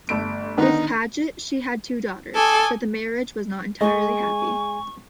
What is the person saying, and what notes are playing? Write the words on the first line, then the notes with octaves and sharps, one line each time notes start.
With Paget she had two daughters, but the marriage was not entirely happy.
G1 A3 D7
D3 D#3 B3 D#4
A4 G#5 D6 D#6
G#3 D#5 G#5 C#6